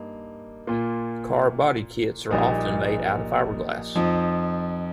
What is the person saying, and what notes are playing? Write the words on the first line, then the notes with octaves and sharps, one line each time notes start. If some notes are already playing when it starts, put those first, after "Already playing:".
Car body kits are often made out of fiberglass.
Already playing: G2 A#3 D#4
A#2 A#3 F4
A#1 A#2 G3 A#3 D#4
F2 F3 D#4